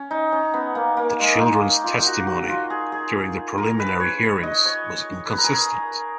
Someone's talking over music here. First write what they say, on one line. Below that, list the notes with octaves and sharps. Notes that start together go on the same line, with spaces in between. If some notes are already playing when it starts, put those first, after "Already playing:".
The children's testimony during the preliminary hearings was inconsistent.
Already playing: C#4
D#4
C#4
B3
A#3
A#3
G#3
D#4
F4
F#4
F#4
F4
G#4
G#4
A#4
B4
C#5
D#5
C#5
B4
A#4
G#4
A#4